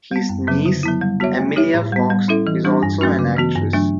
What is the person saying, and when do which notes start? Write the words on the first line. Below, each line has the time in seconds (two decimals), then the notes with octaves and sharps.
His niece Emilia Fox is also an actress.
0.11 G3 B3
0.29 F#2
0.48 C#3 F#3 B3
0.66 D3
0.83 F#3 B3 E4
1.01 G3
1.20 B3 F#4 C#5 E5
1.38 A3
1.56 E4 G4 C#5 E5
1.74 A2
1.92 G3 B3
2.10 G3
2.28 C#4 E4 A4 E5
2.47 E3
2.65 G3 D4 G4
2.83 G2
3.01 F#3 A3 C#4 F#4
3.19 C#3
3.37 E3 B3 F#4
3.55 G2
3.73 F#3 A3 D4